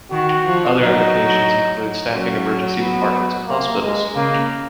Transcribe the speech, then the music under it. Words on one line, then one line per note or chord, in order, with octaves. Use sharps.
Other applications include staffing emergency departments in hospitals.
D#3 F#4
F3
F#3 D#4
F#3 C#4
B3
A#3
G#3
C#3 A#3